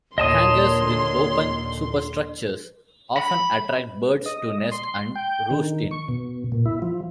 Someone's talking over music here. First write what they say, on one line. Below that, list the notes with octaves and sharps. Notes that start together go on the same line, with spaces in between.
Hangars with open superstructures often attract birds to nest and roost in.
D#2 A#2 D3 C#5 D#5 A5 C6 D#6
B5
D#5
C6
G5
D#3
C#6
B2
A#2
E4
F3